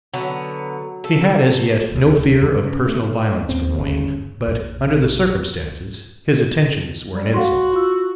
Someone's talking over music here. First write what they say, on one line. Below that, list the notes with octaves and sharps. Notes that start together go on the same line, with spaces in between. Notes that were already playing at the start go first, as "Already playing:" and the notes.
She had as yet no fear of personal violence from Wain; but, under the circumstances, his attentions were an insult.
D3 F#3 B3
A4
D#1 C#2
F2
C#3
A3
D#2 C4
G1 C#3
A#1 F2
G3
F#4 F5 F#5 C6
F4 E6